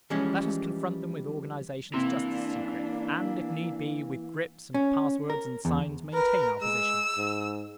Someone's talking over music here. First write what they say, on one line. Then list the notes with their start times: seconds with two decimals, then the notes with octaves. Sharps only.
Let us confront them with organizations just as secret, and, if need be, with grips, and pass-words, and signs maintain our position.
0.10 E3 F3 G3 G#3 C#4
1.94 C3 E3 A#3 D4
4.74 C#4
5.30 A#4
5.65 E2
6.14 A#4 B4
6.62 G#3 E6
7.17 G#2